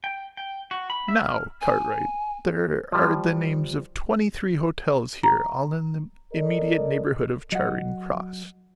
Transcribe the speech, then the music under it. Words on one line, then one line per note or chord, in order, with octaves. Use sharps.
Now, Cartwright, there are the names of twenty-three hotels here, all in the immediate neighbourhood of Charing Cross.
G5
G5
F#4
B5
E5
F6
G#5
F3 G3
A#5
A4 A#4 D5 D#5
F#3 D#5 F#5